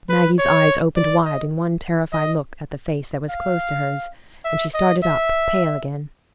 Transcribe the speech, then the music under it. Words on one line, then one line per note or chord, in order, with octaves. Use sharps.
Maggie's eyes opened wide in one terrified look at the face that was close to hers, and she started up, pale again.
B4
C#5
D5
D#5
D#5
F5
E5
D#5
E5